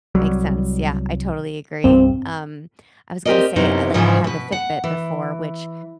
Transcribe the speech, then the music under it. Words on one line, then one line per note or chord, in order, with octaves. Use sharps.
Makes sense, yeah, I totally agree. Um, I was gonna say, I like, I had the Fitbit before, which
C2 F#3 G3
C2 G2 C4
C4 G4 A4 A#4 D5 D#5
F#2 C3 B3 D#4 E4
G#2 C#3 E3 F3
B2 B4
F#5
E3